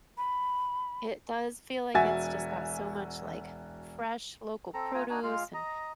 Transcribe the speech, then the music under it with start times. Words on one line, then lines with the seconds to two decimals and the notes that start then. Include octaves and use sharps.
it does feel like it's just got so much, like, fresh local produce and
0.18 B5
1.94 E1 F#4 E5 G#5 A6
4.74 C4 A4 A#5
4.94 A3 F4 G#5 A#5
5.09 D4 D#4 F#4 G#5
5.23 G#3 F4 F5
5.54 D#5 A#5